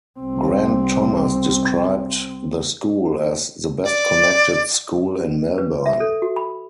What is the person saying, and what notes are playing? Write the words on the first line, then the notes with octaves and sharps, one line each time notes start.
Grant Thomas described the school as 'the best-connected school in Melbourne'.
C2 C4
D5
B4
E5
A4
F#4
B5